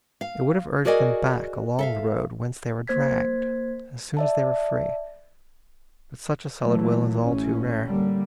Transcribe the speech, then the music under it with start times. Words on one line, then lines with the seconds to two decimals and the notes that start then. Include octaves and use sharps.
It would have urged them back along the road Whence they were dragged, as soon as they were free; But such a solid will is all too rare.
0.21 F5
0.85 F#4 G#4 A#4 D5 D#5 G#5
1.79 A4 E5 F5
2.88 A#3 C5 G#6 B6
4.17 D5 E5 A5
6.60 A#2 E3 F#3 A3
7.19 A1 C#4
7.84 D3 G3 A#3